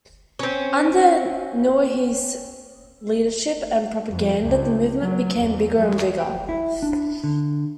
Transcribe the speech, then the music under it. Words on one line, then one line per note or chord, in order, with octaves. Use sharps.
Under Nieuwenhuis' leadership and propaganda the movement became bigger and bigger.
C4 C#4
F2
C#2
F#3
E2
F#3 G#3
G5
E4
D4
D3